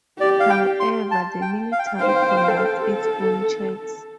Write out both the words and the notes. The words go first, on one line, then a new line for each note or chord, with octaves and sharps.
However, the military conducts its own checks.
G4 D5
F5
G5
C6
A5
G5
F5
G5
F5
G5
C5 F5
G5
F5
G5
F5
G5
F5
A4 G5
F5
G5